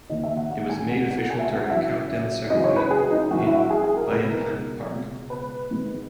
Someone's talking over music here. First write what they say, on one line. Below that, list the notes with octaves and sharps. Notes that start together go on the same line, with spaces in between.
It was made official during the countdown ceremony in Bayanihan Park.
D#2 D#3 D#5
E5
F#5
F#5
G#5
C#2 B2 F#5
F#5
G#5
E5
F#5
F#5
F#2 C#3 E3 E5
F#2 C#3 E3 D#5
C#5
B4
G#4
D#4
F#2 E3 F#4
E4
F#4
G#4
G#4
A#4
C#2 B2 B4
A#4
C#2 B2
B4
G#2 D#3